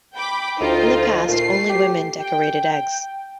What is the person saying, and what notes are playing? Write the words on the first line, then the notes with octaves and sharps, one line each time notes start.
In the past, only women decorated eggs.
G5 B5 D6
D2 D#4 F4 C5
A#2 A3 C7
G4
G5